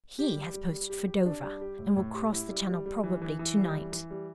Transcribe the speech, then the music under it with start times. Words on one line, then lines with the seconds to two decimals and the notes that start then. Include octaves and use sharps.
HE has posted for Dover, and will cross the Channel probably to-night.
0.19 G4
0.36 G3
0.54 G3
0.72 G3
0.90 G4
1.07 G4
1.26 D4
1.43 G3
1.61 G4
1.79 A2
1.97 A2
2.14 G4
2.33 E4
2.51 G3
2.68 G3
2.86 G3
3.03 E3
3.22 E3
3.39 E3
3.57 G3
3.75 E3
3.92 E3
4.11 G3